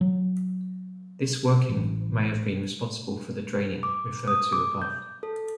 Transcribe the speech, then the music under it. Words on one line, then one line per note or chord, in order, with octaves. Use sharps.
This working may have been responsible for the draining referred to above.
F#3
A1
D6
D#6
D6
G6
A4